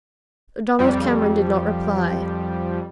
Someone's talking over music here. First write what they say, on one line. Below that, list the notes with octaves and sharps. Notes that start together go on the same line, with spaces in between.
Donald Cameron did not reply.
F2 G3